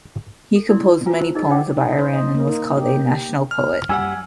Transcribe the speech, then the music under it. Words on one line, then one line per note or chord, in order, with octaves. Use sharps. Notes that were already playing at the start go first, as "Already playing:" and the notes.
He composed many poems about Iran and was called a "national poet".
A4
E4 A#4 D5 C6
F4 F#4 B4 G#5 A#5
A#4 C5 A5
D#4 G#4 A#4 D#5
C5 D5 D#5 F#5 G5 D6
D#4
C5
D#5
A#3
D#4
G4
F6
F#2 G3 F#5 G#5 E6